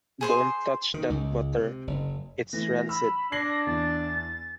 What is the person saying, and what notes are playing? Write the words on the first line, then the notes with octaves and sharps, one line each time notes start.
Don't touch that butter. It's rancid!
G#4 C5 C6
D#3
C#2
C3
F#1
E3 A3 A#6
B5 E6
D4 G#6 A#6 C7 F#7
E2 A6